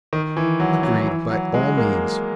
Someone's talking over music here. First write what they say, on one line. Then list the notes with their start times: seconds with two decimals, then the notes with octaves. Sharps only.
"Agreed, by all means."
0.13 D#3
0.37 E3
0.60 F#3
0.83 F#3
1.00 F#3
1.07 E3
1.30 F#3
1.54 G#3
1.77 A#3